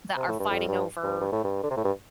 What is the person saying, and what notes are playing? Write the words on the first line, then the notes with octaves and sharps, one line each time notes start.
that are fighting over,
C3
A2
G2
F2
G2
G2
G2
A2
G2
D3
C3
A2
G2